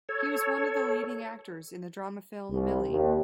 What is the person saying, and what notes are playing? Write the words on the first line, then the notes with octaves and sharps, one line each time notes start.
He was one of the leading actors in the drama film "Millie".
A4 C#5
C2
D#2